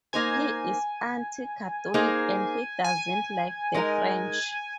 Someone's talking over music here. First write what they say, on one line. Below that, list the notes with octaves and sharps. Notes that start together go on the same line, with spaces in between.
He is anti-Catholic, and he doesn't like the French.
A#3 D#4 C5 G#5
A#3 D#4 G#4 C5
G#5
G#3 D#4 A#4